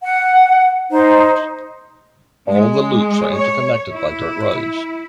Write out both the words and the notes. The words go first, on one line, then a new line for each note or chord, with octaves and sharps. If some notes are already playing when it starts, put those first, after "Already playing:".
All of the loops are interconnected by dirt roads.
F#5
D#4 C5
G#3
C#5
E4